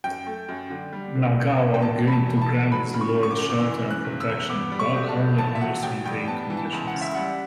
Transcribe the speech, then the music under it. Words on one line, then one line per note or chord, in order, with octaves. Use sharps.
Nagao agreed to grant his lord shelter and protection, but only under certain conditions.
F#2 G5
A3
F#2
D3
G3
D3
F#1
F#2
G5
E2 A5
F#3 B5
A5
E2
B5
A5
D3
F#3 B5
C#3 B5
C#6
G1
C#6
D6
F#2
D6
E3 E6
C#3
F#6
F#1
E6
E2
B3 D6
G3
C#6
B1
A5
A2
A1 A5
E5
F#3 F#5
A1 G5
G2 G5
B3 A5
E3
A5
C#2
F#5
C#3
E5
G3 F#5